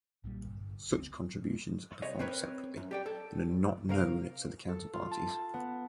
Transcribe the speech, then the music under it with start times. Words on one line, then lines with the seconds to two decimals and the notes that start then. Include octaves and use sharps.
Such contributions are performed separately and are not known to the counterparties.
0.24 B1 A#2 D3 G3
0.45 G1
0.91 D2 A#3 C4
2.02 C2 C#5 D#5
2.19 C4 A#4 B4 C#5
2.77 F#2
2.91 G4 D5 G5
3.06 A4
3.89 C3 A#4 F5
4.68 A4
4.93 F4
5.11 A5
5.54 B3